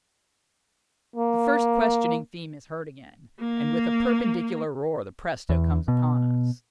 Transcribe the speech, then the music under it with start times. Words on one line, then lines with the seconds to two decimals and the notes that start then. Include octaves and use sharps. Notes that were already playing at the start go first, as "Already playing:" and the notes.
The first questioning theme is heard again, and with a perpendicular roar the presto comes upon us.
1.16 A#3
3.40 A#3
5.49 E2
5.88 B2